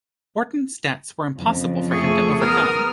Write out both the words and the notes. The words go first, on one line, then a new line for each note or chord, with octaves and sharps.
Wharton's debts were impossible for him to overcome.
F2 C#3
A3 G#4 C#6
B3 A#4 D#6 F6